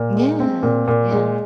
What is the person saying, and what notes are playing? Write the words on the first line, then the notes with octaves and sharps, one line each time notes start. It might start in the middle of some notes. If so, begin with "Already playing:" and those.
Yeah, yeah.
Already playing: A#2
G#3
C4
A#2
A#2
G#3